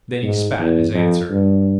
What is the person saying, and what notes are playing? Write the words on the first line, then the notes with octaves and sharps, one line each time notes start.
Then he spat, as answer.
G#2
E2
F2
G2